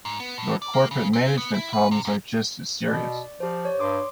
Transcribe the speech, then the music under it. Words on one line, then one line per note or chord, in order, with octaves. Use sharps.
Your corporate management problems are just as serious.
G#2
B3
A2
D5
A#3
C#3
C4
B3
E4
B4
C3
F#2
B2 D5
F3 G4 C5
C#5 D5
G2 C6 D6 D#6